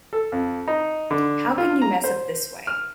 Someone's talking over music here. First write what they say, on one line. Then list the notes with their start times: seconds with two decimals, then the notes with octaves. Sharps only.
How can you mess up this way?
0.13 A4
0.32 F2
0.68 D#4
1.11 D3
1.58 F4
1.82 A#5
2.04 C5
2.67 F6